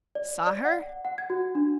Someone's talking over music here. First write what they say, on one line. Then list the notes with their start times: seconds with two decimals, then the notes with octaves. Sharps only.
"Saw her?"
0.15 D5
0.47 D5
0.65 F#5
1.05 F#5
1.18 G#6
1.30 F#4
1.55 D4